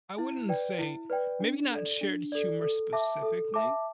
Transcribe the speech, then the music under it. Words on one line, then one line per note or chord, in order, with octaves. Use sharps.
I wouldn't say maybe not shared humor specifically,
E4
B4 D5 G5
E4
B4 D5 G5
D4
A4 D5
D4
A4 D5
A4
E5 A5 D6
A4
E5 A5 D6